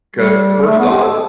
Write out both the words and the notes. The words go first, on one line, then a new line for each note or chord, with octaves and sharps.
'cause first off,
G3
A3
B3
G4
A4